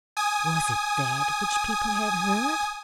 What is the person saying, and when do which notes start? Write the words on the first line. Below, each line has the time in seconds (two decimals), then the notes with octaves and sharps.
Was it that which people had heard?
0.17 G#5 D#6